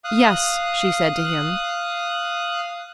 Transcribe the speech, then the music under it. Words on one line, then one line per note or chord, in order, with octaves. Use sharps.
"Yes," she said to him.
F5 D#6 F#6